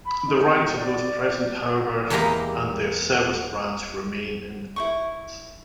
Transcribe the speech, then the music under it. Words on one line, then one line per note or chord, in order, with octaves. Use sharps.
The ranks of those present, however, and their service branch remain in the documents.
B5
D#4
D5
E2 G#3 A#3 G4 D#5 A#5
E4 C5 C#6